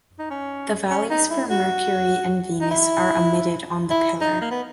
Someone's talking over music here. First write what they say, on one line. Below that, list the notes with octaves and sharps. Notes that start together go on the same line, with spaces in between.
The values for Mercury and Venus are omitted on the pillar.
D#4
C#4
C#4
D#4
E4
F#4
D#4
E4
E4
D#4
A#3
B3